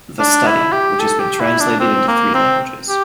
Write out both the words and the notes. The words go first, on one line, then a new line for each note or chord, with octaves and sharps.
The study, which has been translated into three languages.
D4
E4
G4
A4
G4
E4
D4
C4
A#3
C4
G4